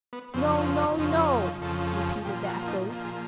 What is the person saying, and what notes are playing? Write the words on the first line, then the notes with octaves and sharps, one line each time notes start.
'No, No, No!' repeated the echoes.
B3
F2 C#3 F3 C4
C#4
C4
C#4
F2 C#3 F3 D#4
C#4
D#4
F2 C#3 F3 A4
A4
G#4
A#2 F3 G4
F#4
D#4
A#2 F3
G#4